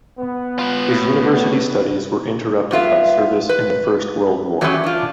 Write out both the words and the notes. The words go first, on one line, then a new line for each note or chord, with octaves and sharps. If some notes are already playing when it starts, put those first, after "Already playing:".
His university studies were interrupted by service in the First World War.
B3
F4 B4
A2
G2 B3 F4 E5
B4
E3 F#3 G3 A3 B3 C#4
D4 F4